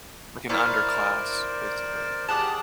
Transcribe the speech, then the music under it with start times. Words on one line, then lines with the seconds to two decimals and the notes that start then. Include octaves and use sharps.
Like an underclass, basically.
0.49 E4 A#4 C5 D5 F5 C#6
2.29 G4 G#4 F#5 A5